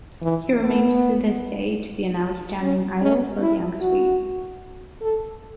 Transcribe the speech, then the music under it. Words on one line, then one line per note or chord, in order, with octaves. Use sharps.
He remains to this day to be an outstanding idol for young swedes.
E3
B3
C#4
C#4
E4
F#4
A4